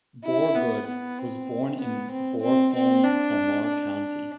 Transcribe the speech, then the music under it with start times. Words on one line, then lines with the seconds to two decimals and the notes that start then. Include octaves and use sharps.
Borgudd was born in Borgholm, Kalmar County.
0.24 E4
0.56 B3
0.87 B3
1.18 C4
1.80 B3
2.11 C4
2.42 C4
2.73 C4
3.04 D4
3.67 D4